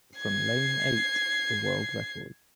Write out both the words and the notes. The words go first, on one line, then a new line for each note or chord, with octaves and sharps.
From lane eight, a world record.
G#6 C7